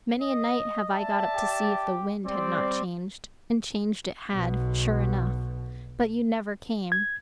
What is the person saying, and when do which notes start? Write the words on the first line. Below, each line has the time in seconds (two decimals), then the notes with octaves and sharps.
Many a night have I got up to see if the wind had not changed: and changed it had, sure enough; but you never came.
0.21 D#5
0.92 D5 E5 A5
1.36 G4
2.26 G3 C4 D5
4.33 B1 B2
6.92 G#6